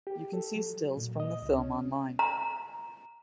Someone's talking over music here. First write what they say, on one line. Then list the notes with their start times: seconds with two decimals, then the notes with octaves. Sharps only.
You can see stills from the film online.
0.07 G4
0.33 A4
0.56 F#3
0.97 A#2
1.20 D#5
1.42 C#2
1.58 C#4
2.19 A#5